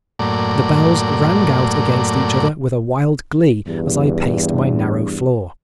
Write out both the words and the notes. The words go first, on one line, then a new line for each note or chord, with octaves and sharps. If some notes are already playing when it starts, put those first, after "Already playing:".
The bells rang out against each other with a wild glee as I paced my narrow floor.
F#2 A2 A#3 D5
E2 G2